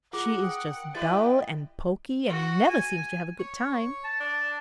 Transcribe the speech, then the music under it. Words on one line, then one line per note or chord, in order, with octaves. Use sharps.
She is just dull and poky and never seems to have a good time.
F4 G#4 A#4 F#5 D6
G5 D#6
E4 G4 B4 D#5 A6
F#4
G#5
C#5
A5
D4